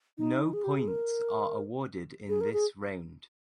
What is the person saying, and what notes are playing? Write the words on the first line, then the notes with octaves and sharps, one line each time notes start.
No points are awarded in this round.
D#4
G#4
G4
G#4
A#4
G#4
A#4
G#4